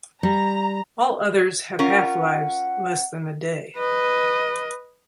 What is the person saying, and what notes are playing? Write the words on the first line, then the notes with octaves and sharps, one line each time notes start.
All others have half-lives less than a day.
G3 A#5
C#4 F4 A#4 F#5
B4 D#5